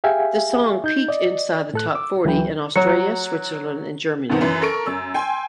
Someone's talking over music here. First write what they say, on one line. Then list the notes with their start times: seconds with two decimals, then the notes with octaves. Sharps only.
The song peaked inside the top forty in Australia, Switzerland and Germany.
0.04 G4 G#4 E5 F5 G5 G#5
0.84 D#4 G6
1.09 D5 D#5
1.74 A2 A4 F#6
1.91 D6 E6
2.25 D2 E3 F#3 B4 G5
2.76 F#3 C#5 A#5 C#7
4.29 G2 B2 D#3 B3 C4
4.41 F#2 E3
4.61 A4 A#4 C#6 D7
4.86 F#2 E6
5.14 G5 G#5 C6